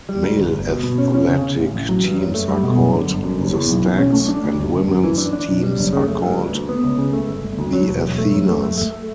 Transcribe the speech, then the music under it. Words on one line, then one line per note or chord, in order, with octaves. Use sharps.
Male athletic teams are called the Stags, and women's teams are called the Athenas.
G3
D2
G1
G1
B2
B2
C#4
C#4
C#3
C#3
A1
A1
F#3
G2
F#2
A3
G3
B2
F#2
D3
G1
F#2
F#1
E2
B1
B1
C#4
A3
D4
D2
G1
G1
F#2
E3
D4
D4
B1
G3
F#1
C#3
A3
G2
D2
D2
B3
C#2
C#3
A3
G1
G1
D2
F#3
E1
E1
A3
F#2
A3
A3
A3